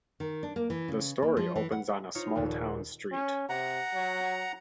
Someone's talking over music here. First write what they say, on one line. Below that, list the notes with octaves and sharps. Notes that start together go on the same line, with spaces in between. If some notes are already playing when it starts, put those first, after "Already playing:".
The story opens on a small-town street.
D#3
D4
A#3
E3
C#3
A#3
F3
E3
F#5
D#4 F4 C#5
D#1 D#2 A#2
C#4
C3 F#5 A#5
F#3